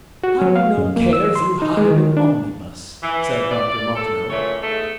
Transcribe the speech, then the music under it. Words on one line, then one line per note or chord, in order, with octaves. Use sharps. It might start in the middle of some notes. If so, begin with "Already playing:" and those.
I would not care if you hired an omnibus, said Dr. Martineau.
F#4
F#3
F5
F#2
A#3
E6
C6
D#4
G#3
D#3
D4
E3
D5
A4
F#2 A#2 E3 A3 C#5
E2 G#2 A3